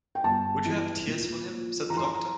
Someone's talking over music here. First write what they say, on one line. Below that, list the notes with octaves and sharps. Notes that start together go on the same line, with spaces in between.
'Would you have tears for him?’ said the doctor.
G5
G1 A5
E3
A#2
F3
E3 A#5
C6
A#5